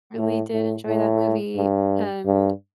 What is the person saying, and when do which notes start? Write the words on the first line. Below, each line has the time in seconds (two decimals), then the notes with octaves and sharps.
really did enjoy that movie, and
0.17 A2
0.53 A2
0.87 A2
1.56 G2
2.26 G2